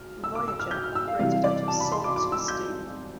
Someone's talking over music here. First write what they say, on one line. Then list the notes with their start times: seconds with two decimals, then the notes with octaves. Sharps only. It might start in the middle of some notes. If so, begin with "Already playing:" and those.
Voyager operated out of Sault Ste.
Already playing: F6
0.24 E6
0.35 D6
0.48 E6
0.59 F6
0.71 G6
0.84 F6
0.95 E6
1.08 F5
1.19 C3 E3 G3 F5
1.32 F5
1.44 D5
1.68 A5
1.80 B5
1.92 C6
2.04 D6
2.16 D6
2.32 E6
2.48 G6